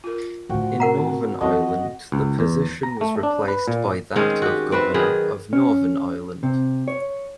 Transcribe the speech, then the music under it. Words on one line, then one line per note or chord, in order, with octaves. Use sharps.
In Northern Ireland the position was replaced by that of Governor of Northern Ireland.
F4 A#4
A2 D3 F3 F#4 G5
A#4 F#5 A#5
C4
E2 C4 F#4 A4 D#5
C#2
E2
A#5
A3
D4
B4
A#2
D#3 G#3 C4 C#4
F#4 G4
C4 F#4 B4 E5
D#3 F#3 G#4 B4
C#4
C3
C#5